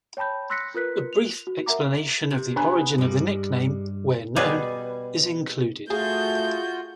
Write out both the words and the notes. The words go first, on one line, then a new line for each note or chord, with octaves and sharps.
A brief explanation of the origin of the nickname, where known, is included.
C#5 G5 A5 B5 G6
C6 E6 F#6 A#6 B6 C#7
F4 A#4 B4 F#6 B6
F7
F#4
A#4 E5 F#5 A#5 D6
C3
B3 D4 G#4 B4 G#5 A#5
G2 G3 G#3
B2 G3 G#4 B4
A3 F4 F#4 G#4 G6